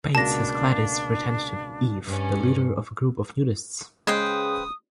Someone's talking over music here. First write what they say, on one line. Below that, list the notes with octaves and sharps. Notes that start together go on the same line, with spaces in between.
Bates has Gladys pretend to be "Eve", the leader of a group of nudists.
C#2 B2 A#3 D4 A5 A#6
G2 C#4
C#3 G#3 B4 C5 G5 D#6